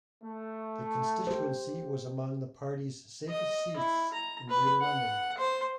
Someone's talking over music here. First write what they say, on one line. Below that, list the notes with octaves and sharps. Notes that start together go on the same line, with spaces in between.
The constituency was among the party's safest seats in Greater London.
A3
G4 C5
D#5
E4
A#5
B4
F#5
C5